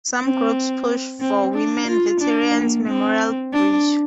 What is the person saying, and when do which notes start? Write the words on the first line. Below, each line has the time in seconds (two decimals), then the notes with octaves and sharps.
Some groups pushed for "Women Veterans Memorial Bridge".
0.21 C4
1.20 C4
1.54 D4
1.87 F4
2.20 D4
2.53 A#3
2.86 C4
3.53 D4